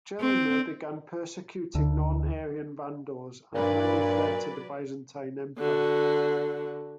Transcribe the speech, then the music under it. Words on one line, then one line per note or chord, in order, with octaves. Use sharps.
Gelimer began persecuting non Arian Vandals, and many fled to the Byzantine Empire.
C4
D2 D3
G2 A#2 F#3 B4 D5
D3 F#4